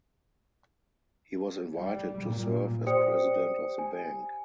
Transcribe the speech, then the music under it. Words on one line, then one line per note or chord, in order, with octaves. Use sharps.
He was invited to serve as president of the bank.
G3
A#2
G4 C5 D5 G5 D#6 C#7
G#5